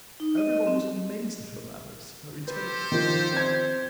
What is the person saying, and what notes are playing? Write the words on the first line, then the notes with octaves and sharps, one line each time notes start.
Every one was amazed at her manners, her intelligence.
D#4
D#5
D#5
C4
G4 A4 B4 C5
D#3 F3
C4 G#6